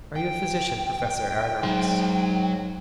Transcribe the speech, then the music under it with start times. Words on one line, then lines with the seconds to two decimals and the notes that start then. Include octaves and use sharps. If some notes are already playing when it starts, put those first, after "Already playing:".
"Are you a physician, Professor Aronnax?"
0.16 G5
1.63 G#2 F#3 C6